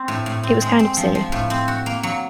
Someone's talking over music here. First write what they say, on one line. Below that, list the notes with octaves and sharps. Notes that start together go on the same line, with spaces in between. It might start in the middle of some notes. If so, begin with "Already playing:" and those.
It was kind of silly.
Already playing: C4
A2
A2
C4
G#3
C4
F3
F3
A2
C4
F#4
A#3
F#3